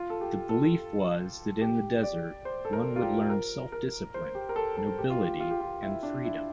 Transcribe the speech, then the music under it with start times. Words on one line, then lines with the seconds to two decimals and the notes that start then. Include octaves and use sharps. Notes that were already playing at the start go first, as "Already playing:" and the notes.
The belief was that in the desert, one would learn self-discipline, nobility, and freedom.
Already playing: F4
0.10 A4
0.21 G4
0.49 A4
1.61 G4
2.03 D5
2.45 C5
2.65 A4
2.73 A#4
2.96 F4
3.02 G4
3.30 A#4
3.72 A#4
4.14 C5
4.35 G4
4.49 A#4
4.56 A4
4.77 A4
4.99 G4
5.10 F4
5.22 G4
5.40 F4
5.51 G4
5.60 F4
5.82 E4
6.03 D4
6.25 E4